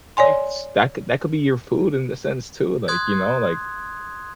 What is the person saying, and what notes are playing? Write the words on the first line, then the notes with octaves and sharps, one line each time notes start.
like, s that could that could be your food in the sense too, like, you know? Like,
C#5 D5 G#5 C6
C6 D#6 F#6 G#6